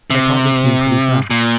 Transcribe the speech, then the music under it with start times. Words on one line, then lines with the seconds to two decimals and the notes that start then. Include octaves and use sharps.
"I thought we came pretty fast."
0.10 C3
1.31 A#2